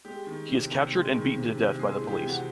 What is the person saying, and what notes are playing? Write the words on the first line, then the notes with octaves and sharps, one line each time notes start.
He is captured and beaten to death by the police.
G#3 G4
D#3
C3
C3
G#3
D#3
C3
C3
G#3 G#4
E3
G4
C3
F#4